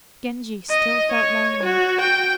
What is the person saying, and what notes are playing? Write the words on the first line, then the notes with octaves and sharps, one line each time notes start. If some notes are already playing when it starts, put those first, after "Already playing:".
Genji still felt lonely.
D#5
C#5
F#4
G5